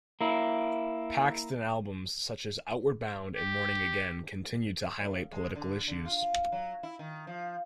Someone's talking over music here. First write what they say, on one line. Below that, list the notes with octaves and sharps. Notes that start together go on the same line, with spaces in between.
Paxton albums such as "Outward Bound" and "Morning Again" continued to highlight political issues.
A#3 E4
G4
A2
G#3
D3
D3
F4
F#3
E4
D#3
F3